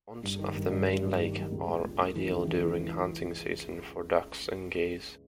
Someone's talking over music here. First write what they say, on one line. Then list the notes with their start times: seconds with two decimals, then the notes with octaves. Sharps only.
Ponds off the main lake are ideal during hunting season for ducks and geese.
0.23 G2
0.38 D#3
0.55 G2
0.71 G2
0.88 D#3
1.03 G2
1.19 D#3
1.36 F#3
1.52 C#2
1.67 C#2
1.84 C#2
1.99 A3
2.15 E3
2.31 C#2
2.47 E3
2.63 E3